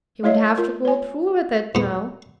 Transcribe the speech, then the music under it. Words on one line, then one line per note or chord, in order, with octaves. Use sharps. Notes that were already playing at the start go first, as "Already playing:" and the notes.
He would have to go through with it now.
G#3 A3 E4 C#5 D#5 E5
F4 A#4
C#5 G#5
G#2 B3